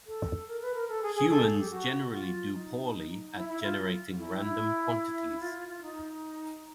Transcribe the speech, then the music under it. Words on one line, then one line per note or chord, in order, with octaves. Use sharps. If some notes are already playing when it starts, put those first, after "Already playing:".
Humans generally do poorly at generating random quantities.
A4
A#4
B4
A#4
A4
G#4
G#4
A4
G4
F#4
F4
D#4
E4
E4
F4
E4
F4
F4
F4
D#4